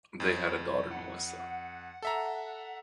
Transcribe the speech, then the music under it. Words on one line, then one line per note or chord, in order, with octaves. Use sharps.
They had a daughter, Melissa.
F2
F#5
A4 E5 A#5